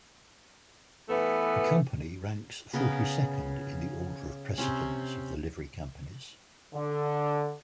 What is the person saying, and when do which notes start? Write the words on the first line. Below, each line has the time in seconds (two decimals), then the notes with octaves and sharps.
The Company ranks forty-second in the order of precedence of the Livery Companies.
1.09 E3 A3 B3
2.73 C#3 B3 A#4 D#5
4.58 C3 C4 C#4
6.74 D3